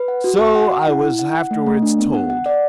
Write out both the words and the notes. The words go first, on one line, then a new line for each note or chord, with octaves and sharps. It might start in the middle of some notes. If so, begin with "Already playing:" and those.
So I was afterwards told.
Already playing: B4
F#5
F#4
F#4
F#5
F#5
E4
E4
F#5
F#5
A3
A3
D4
B3
F#5
F#5
D5